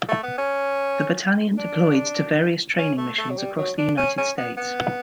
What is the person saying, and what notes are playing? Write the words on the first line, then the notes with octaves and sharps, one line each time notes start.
The battalion deployed to various training missions across the United States.
A3
B3
C#4
D4
C#4
A3
A3
F#3
G3
F#3
D4
C#4
C#4
B3
B3